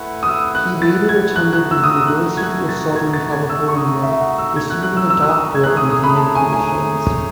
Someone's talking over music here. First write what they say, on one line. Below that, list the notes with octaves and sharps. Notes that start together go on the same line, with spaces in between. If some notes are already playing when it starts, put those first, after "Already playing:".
He later attended the University of Southern California, receiving a doctorate in communications.
Already playing: A3 E4 B4 F#5
D#6
E6
F#6
A6
G#6
A3 D#4 F#4 F#6
F#6
E6
D#6
E6
F#6
G#6
F#6
A6
G#6
A6
G#6
A3 D#4 F#4 E6
C#6
D#6
E5
F#5
E6
G#6
F#6
F#6
E6
E6
E6
D#6
G#6
A3 D#4 G#4 C#5 F#6
D#6
D#6
B5
A5
G#5
G#5